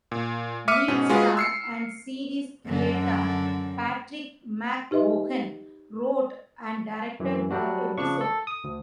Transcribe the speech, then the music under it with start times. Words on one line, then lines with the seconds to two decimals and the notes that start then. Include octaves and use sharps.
Lead star and series creator Patrick McGoohan wrote and directed the episode.
0.12 A#2
0.68 E5 D6 F6 C#7 D#7
0.88 G#2 B2 C#4
1.09 G#3 F4 F#4 G#4 B4
1.37 E6 C7 C#7
2.67 F#2 D3
4.91 D#4 G4 B4 D#5 E5 C6
7.20 F#2 E3
7.51 F#3 G3 D4 F#4
7.98 C#3 F3 D4 C#6
8.21 A4
8.47 D#6
8.64 D2